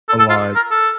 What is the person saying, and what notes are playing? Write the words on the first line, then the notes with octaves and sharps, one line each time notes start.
But like
A4
A4
F4
A#4
A4